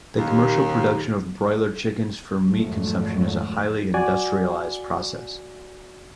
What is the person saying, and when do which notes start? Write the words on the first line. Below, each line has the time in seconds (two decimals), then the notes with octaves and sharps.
The commercial production of broiler chickens for meat consumption is a highly industrialized process.
0.17 D#2
2.51 G#1 F2 F#3 A3
3.94 F#4 D5 G#5